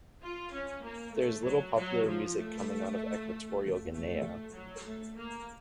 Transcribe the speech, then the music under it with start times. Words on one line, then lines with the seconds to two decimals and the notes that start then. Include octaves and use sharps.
There is little popular music coming out of Equatorial Guinea.
0.22 F4
0.52 C#4
0.83 A#3
1.15 A3
1.44 F#3
1.76 F#3
2.07 F3
2.38 A3
3.91 A3
4.53 F#3
4.85 A3
5.16 A#3